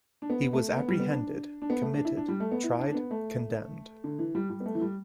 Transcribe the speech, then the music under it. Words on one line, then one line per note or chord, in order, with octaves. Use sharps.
He was apprehended — committed — tried — condemned.
D4
B3
A3
B3
G3
B3
D4
D4
B3
A3
D4
E4
D4
G3
A3
B3
E4
D4
D4
B3
A3
D3
E3
G3
G3
B3
A3
E3
G3